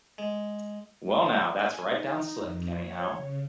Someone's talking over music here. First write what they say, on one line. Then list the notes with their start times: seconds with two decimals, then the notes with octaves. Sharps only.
Well, now, that's right down slick, anyhow.
0.18 G#3
1.47 G#5
1.87 D#4
2.37 F2
2.74 C#5
3.15 C#3